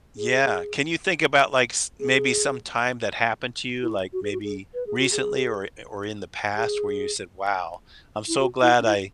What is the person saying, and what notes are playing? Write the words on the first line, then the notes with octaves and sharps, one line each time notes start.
Yeah. Can you think about, like, s maybe some time that happened to you, like, maybe recently or or in the past where you said, "Wow, I'm so glad I
G#4
G#4
E4
F#4
G#4
F#4
G#4
B4
G#4
F#4
G#4
G#4
E4
F#4
E4
C#4
E4